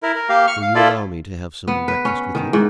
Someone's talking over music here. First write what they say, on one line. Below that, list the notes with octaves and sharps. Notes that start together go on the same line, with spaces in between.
"Will you allow me to have some breakfast with you?"
E4 A#4
A#4
A#3 G4 F5
C#6 F6
F5
E4 F4 A4 D5
B3
B4
C#4
D#3
G#2